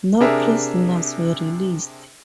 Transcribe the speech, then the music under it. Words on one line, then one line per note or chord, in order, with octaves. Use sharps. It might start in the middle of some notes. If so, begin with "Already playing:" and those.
No prisoners were released.
C3 D4 G#4 A#4 E5